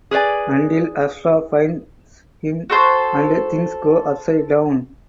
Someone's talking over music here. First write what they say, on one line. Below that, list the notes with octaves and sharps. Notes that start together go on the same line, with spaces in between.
Until Ashraf finds him and things go upside down.
G#4 B4 C5 D5 G#5
F#4 A4 C5